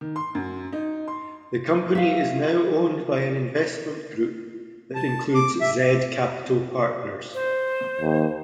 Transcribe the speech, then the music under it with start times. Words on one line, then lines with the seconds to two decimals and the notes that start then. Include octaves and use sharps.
The company is now owned by an investment group that includes Z Capital Partners.
0.01 D#3
0.16 C6
0.35 F#2
0.73 D#4
1.08 C6
1.95 E5 F5
4.95 A5
5.35 D6
5.61 E5
7.34 C5
8.00 D#2